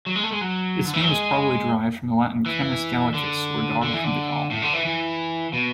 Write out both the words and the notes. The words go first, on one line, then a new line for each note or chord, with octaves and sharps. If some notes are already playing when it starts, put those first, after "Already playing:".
Its name is probably derived from the Latin "Canis Gallicus" or "Dog from Gaul".
F#3
G#3
A3
G#3
F#3
D3
E3
F#3
G#3
E3
D3
D3
E3
D3
A2
D3
E3
E3
B2